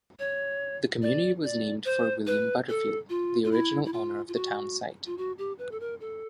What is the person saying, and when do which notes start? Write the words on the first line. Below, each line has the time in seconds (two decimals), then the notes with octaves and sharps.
The community was named for William Butterfield, the original owner of the town site.
0.19 C#5
1.02 D5
1.44 D5
1.85 C5
2.27 B4
2.69 A4
3.09 F4
3.44 F4
3.51 E4
3.85 E4
3.93 F4
4.28 F4
4.34 F#4
5.06 F4
5.18 F#4
5.38 G4
5.59 B4
5.71 A4
5.80 A#4
6.00 A4